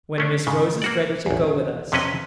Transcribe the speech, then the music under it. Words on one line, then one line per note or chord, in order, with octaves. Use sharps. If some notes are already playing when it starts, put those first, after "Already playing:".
"When Miss Rose is ready to go with us."
A3 C#4 D4
G#2 C#3
A#3 F#4 D5
A1 E2
F2 C3 F#3 C#4 B4 D#5